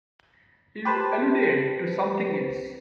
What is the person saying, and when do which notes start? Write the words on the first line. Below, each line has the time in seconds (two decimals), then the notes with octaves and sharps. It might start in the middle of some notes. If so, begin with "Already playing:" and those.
You alluded to something else.
0.85 G4 B4 C5 A5